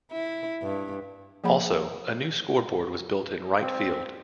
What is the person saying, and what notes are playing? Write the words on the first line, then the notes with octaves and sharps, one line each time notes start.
Also, a new scoreboard was built in right field.
E4
G2
F3 A#3 G#4 C#5 F#5 B5
C4